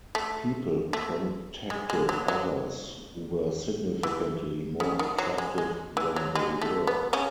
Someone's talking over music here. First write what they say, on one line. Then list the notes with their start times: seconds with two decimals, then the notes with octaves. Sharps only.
People contacted others who were significantly more attractive than they were.
0.15 A3
0.93 A3
1.70 G#3
1.90 G#3
2.09 F#3
2.28 F#3
4.03 E3
4.80 C#3
4.99 D#3
5.18 F#3
5.38 G#3
5.58 G#3
5.97 E3
6.16 F#3
6.35 G#3
6.61 A3
6.87 B3
7.13 C#3 C#4